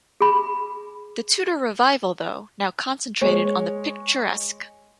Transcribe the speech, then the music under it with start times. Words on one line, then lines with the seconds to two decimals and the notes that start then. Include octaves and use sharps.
The Tudor revival, though, now concentrated on the picturesque.
0.21 G#4 B5
3.21 G#3 C#5